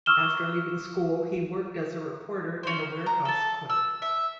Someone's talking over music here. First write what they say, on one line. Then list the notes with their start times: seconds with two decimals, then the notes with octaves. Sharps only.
After leaving school, he worked as a reporter and a warehouse clerk.
0.06 C#6 D6 E6 F6 E7 G7
2.63 C#4 C5
3.06 A#5
3.25 A4 A5
3.70 E6
4.02 E5